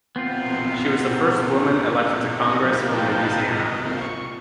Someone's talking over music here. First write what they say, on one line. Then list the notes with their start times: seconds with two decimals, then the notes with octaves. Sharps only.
She was the first woman elected to Congress from Louisiana.
0.16 B3 C4 F4
2.43 B3 C#4 D#4 G#4 D#5
2.64 F3 A#3
2.93 D#4 B4 F5 G5 A5
3.51 D#5
3.85 A#3 C4 F4
4.01 C#6